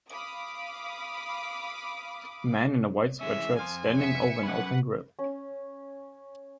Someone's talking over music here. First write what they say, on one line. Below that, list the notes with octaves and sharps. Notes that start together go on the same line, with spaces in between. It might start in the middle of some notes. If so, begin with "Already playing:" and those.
A man in a white sweatshirt standing over an open grill.
F5 B5 D6 D#6
E3 G#3 C#4 E5
F2 C5 F5 G#5
B3 E5 C#7
F#3 C#4 B4 F#5 B5
C#4